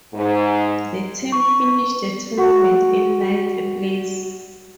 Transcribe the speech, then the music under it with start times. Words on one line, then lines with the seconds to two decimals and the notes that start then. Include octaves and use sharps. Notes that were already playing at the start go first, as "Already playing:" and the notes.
The team finished the tournament in ninth place.
0.14 G#2
1.32 C#6
2.38 F#4 F#5 C#6